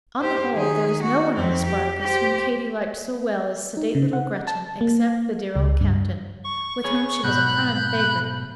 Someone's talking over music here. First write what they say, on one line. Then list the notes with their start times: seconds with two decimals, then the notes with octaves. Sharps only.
On the whole, there was no one on the "Spartacus" whom Katy liked so well as sedate little Gretchen except the dear old Captain, with whom she was a prime favorite.
0.21 G4 C5
0.53 D#3 G#4
1.03 F#4
1.36 F2 C4
1.67 G4
2.01 G4 C5
3.77 D#4
3.95 C#3
4.13 F#5
4.47 A5
4.81 A#3
5.55 C#2
5.81 G2
6.44 C#6
6.84 B3 G#4 C#5
7.23 B1 G#2 B2 B5 F#6 G6